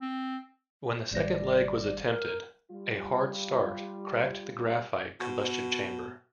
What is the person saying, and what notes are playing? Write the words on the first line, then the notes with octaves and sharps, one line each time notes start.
When the second leg was attempted, a 'hard start' cracked the graphite combustion chamber.
C4
G#1 G3 D5 A#6
A#4
G3 F4
B2